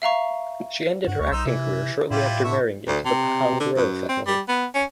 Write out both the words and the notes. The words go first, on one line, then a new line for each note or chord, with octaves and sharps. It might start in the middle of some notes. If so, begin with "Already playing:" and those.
She ended her acting career shortly after marrying into the Pahang royal family.
E5 F5 A#5 C#6
G2 F#4
D2 C#5 C#6
B1 D#4 C5 E6
C3 E3 E5
A2 G3 E4 F4
D3 E5 C#6
D2
C3
D3
F#2
C4
G3
B3
C#4